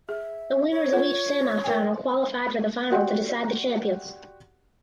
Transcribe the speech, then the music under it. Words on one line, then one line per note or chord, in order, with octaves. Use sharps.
The winners of each semifinal qualified for the final to decide the champions.
G#4 E5
C#5
F4 A4 F#5
A#4 G5 G#5
F#4 G4 D5 F#5 G5 C6